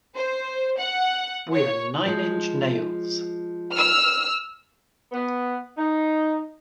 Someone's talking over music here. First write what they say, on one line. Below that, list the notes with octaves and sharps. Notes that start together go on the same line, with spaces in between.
We're Nine Inch Nails.
C5
F#5
C#5
F3 G#3
E6 F6
B3
D#4